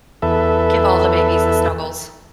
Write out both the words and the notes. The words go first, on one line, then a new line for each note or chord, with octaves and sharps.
Give all the babies the snuggles.
E2 A4 B4 E5